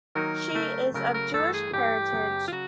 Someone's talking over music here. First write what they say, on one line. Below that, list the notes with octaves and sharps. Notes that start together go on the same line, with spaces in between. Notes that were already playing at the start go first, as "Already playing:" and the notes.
She is of Jewish heritage.
D#3 F#3 A#3 D#4 A#4
C#3 F#3 A3
C#3 F#3 A3 A#4
A#4
G2 E3 A3 A4
G#4
G2 E3 A3 G4
F#2 C#3 F#3 B3
F4
C#3 F#3 F#4